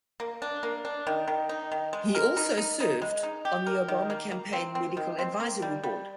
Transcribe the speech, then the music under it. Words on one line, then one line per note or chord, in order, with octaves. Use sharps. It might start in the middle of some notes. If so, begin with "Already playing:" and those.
He also served on the Obama campaign Medical Advisory Board.
A#3
D4
A#3
D4
D#3
D#3
D#4
D#3
G#3
A#4
D#4
D#4
D#4
G#3
D#4
G4
A#4
D#3
A#3
A#3
C4
C4
D#3
C4
A#3
G3
G3